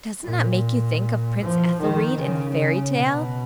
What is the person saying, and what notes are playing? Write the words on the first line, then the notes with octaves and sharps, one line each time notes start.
Doesn't that make you think of Prince Ethelried in the fairy tale?
A#2
F3
D#3
C#3
C#3
B2